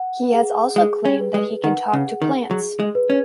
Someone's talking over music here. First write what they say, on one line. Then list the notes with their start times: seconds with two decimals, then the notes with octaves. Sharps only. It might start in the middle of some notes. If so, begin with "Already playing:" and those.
He has also claimed that he can talk to plants.
Already playing: F#5
0.34 G#4
0.76 G#3 G#4
1.05 C#4
1.20 B4
1.34 G#3
1.64 D#3 F#5
1.93 C#3
2.07 G#4
2.22 D#3
2.51 F#3 G#4
2.80 G#3
2.95 B4
3.10 C#4